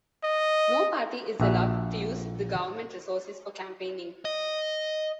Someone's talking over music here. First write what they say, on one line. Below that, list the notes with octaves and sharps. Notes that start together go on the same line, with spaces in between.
No party is allowed to use the government resources for campaigning.
D#5
A#1 A#2 F#4 E5
D#5